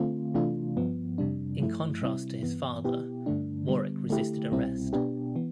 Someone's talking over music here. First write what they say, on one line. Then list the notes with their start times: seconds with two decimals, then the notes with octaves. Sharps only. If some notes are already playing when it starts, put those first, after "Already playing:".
In contrast to his father, Warwick resisted arrest.
Already playing: D3 A3 C4 F4
0.34 C3 E3 A3 D4 F4
0.77 G2 F3 B3
1.18 F2 C3 G3 D4
1.60 G2 F3 A3 E4
2.02 C3 G3 C4 E4
2.43 G2 E3 B3
2.84 B2 B3 E4 G4
3.26 G2 D3 A3 D4
3.68 D3 G3 B3
4.10 D3 A3 E4 G4
4.51 C2 B2 G3 C4 E4
4.93 B2 B3 D4 G4
5.36 E3 B3